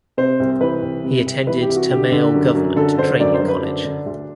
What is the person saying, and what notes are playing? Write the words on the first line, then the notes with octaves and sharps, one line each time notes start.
He attended Tamale Government Training College.
C3 C5
C2
E3 B4
C2
C3
C2
E3 B4
G4
C2
F#4
D3 G4
D3
F#2
F#2
D3 A4
D3 C5
F#2 D5
C5
F#2
B4
D3 D4
D3
D2